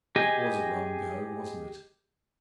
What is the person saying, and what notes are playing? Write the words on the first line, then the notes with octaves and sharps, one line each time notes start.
It was a rum go, wasn't it?
G4 G#4 D#5 G#5